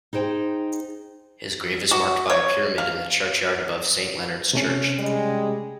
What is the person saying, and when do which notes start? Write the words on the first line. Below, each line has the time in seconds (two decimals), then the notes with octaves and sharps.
His grave is marked by a pyramid in the churchyard above Saint Leonard's Church.
0.13 D#4 G#4 C5 G5
1.91 F#4
2.30 C#5
2.78 F5
4.53 C3 A3 C#4
4.98 G3 G#3